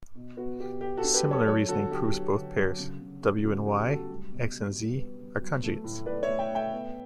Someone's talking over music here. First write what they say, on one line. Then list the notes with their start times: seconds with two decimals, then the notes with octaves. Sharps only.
Similar reasoning proves both pairs, W and Y, X and Z, are conjugates.
0.15 B2
0.37 B3 F#4
0.60 B2 G4
0.81 B3 G4
0.97 F#4 A4
1.03 D4
1.14 G4 B4
1.25 F#3
1.31 A4 C#5
1.47 F#3 A4 C#5
1.68 D3 F#4 A4
1.91 F#3 G4
2.12 F#3
2.35 D3
2.57 F#3
2.79 C#3
3.01 C#3
3.22 A3
3.43 C#3 F#4
3.66 F#3 G4
3.87 A3 F#4 A4
4.10 G3
4.32 B2
4.53 G3
4.75 G3
4.97 B3
5.19 G3
5.41 F#3
5.63 A3
5.84 A2
6.06 A2 B4 D5
6.23 C#5 E5
6.28 A3
6.39 E5 G5
6.51 A3 E5 G5
6.73 B3